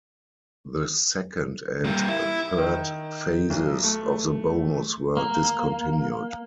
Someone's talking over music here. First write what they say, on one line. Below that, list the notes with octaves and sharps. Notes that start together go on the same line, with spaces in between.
The second and third phases of the bonus were discontinued.
G3 A#3
E4
D#3
B1
A3
A#3